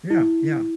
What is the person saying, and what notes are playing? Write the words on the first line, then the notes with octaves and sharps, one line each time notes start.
Yeah, yeah.
E4